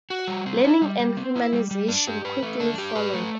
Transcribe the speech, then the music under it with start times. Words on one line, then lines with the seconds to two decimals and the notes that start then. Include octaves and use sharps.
Learning and humanization quickly followed.
0.10 F#4
0.27 G3
0.46 C4
0.64 E4
0.82 G3
1.00 G3
1.17 C4
1.36 E4
1.53 G3
1.71 G3
1.88 D4
2.07 G4
2.25 B4
2.43 A3
2.60 D4
2.78 G4
2.95 B4
3.14 A3